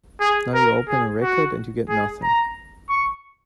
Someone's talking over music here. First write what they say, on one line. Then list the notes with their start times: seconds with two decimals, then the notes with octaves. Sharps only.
Now, you open a record and you get nothing.
0.21 G#4
0.54 A#4
0.88 G#4
1.22 F#4
1.89 G#4
2.23 A#5
2.90 C#6